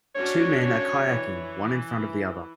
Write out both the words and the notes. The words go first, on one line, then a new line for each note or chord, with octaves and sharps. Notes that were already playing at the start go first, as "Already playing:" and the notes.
Two men are kayaking, one in front of the other.
C#4 D4 F#4 C#5
E3